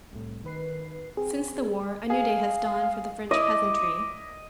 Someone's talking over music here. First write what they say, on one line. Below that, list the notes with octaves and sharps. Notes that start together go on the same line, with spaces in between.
Since the war a new day has dawned for the French peasantry.
C2 A2
D#3 B4 C7
C4 G#4
G#4 F5
E4 D#5 D6